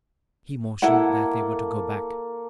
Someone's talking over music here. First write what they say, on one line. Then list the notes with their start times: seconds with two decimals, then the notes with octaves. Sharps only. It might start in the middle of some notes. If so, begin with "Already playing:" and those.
He motioned that they were to go back.
0.82 A#3 E4 A4 F#5